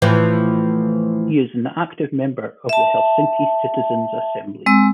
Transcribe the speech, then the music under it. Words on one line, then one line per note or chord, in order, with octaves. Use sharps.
He is an active member of the Helsinki Citizens Assembly.
A2 E3 F3
E5 A5
G#3 C4 E6